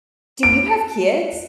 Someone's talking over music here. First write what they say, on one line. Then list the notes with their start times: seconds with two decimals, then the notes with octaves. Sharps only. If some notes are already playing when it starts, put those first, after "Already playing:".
"Do you have kids?
0.43 D7